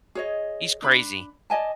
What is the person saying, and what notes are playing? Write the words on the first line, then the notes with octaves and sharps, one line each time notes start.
He's crazy.
G#4 C#5 D#5
D4 B5
D5 D#5 G#5 A5